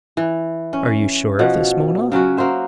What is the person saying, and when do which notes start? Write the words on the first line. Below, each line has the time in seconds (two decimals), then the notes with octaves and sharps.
"Are you sure of this, Mona?"
0.17 E3
0.73 C#4
1.39 B2 F3 F#5
2.12 C#3 F#3 C#4 F#4
2.37 A#3 F#4 C5 E5